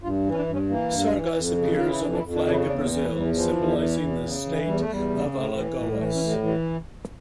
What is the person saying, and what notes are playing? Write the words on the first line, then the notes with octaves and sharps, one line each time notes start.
Sargas appears on the flag of Brazil, symbolising the state of Alagoas.
G2 F4
E3
C#4
D4
G2
C#4
E3 A#3
G2
E3
F2
C#3
E3 F4
E4
F2 D4
D4
E4
F2
D4
C#3 D4
E4
C#4
E2 D4
A#3
E3
A3
E2
G3
E3 F3
E2
E3
E2
C#3
E3
E2 G3
A3
E2 G3
C#3
A2
E3
A2
G3
E3 A3
C#4
A2
G3
E3
G3